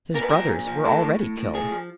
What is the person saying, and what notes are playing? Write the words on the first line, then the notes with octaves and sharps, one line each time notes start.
His brothers were already killed.
A#2 A#4
B4
F3 A#4
A#2
F3
A2 A4
A2
A2
A2
A2 G#4
F3